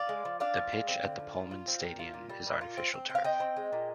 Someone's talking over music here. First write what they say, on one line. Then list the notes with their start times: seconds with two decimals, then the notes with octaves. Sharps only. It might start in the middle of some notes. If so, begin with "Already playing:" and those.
The pitch at the Polman Stadion is artificial turf.
Already playing: D5 F5
0.09 G#3
0.25 F3
0.40 D4 D5 F5
0.57 F3
0.72 G#3
0.88 C4
1.03 D3
1.19 F3
1.35 F4
1.51 F4
1.68 C4
1.83 A#2
1.99 F4
2.14 A#2
2.29 G3
2.46 A#2
2.61 F4
2.78 C4
2.94 C4
3.10 C4
3.15 F5
3.24 C4 D#5 G5
3.40 C4
3.57 G#3
3.73 A#2